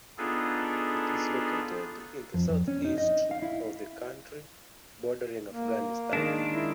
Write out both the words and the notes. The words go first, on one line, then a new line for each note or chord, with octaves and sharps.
It is located in the south-east of the country, bordering Afghanistan.
B3 D4 D#4 F4 G#4 A4
F2
F2
C#4
D#4
D#5
F5
E4
A#3
D#3 G#3 D4
E4